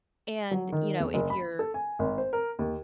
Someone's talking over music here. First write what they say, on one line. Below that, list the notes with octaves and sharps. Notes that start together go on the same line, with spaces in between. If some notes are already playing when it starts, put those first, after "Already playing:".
And, you know, if you're
F#3
D#3
E2
F#1
B5
A4
G#5
G#1
C5
A#4
D#2